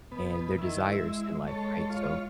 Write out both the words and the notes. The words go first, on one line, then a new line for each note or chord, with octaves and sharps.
and their desires in life, right, so,
B2 B3
D#3 E4
G#3
G#3 A4 C#5
F4 C#5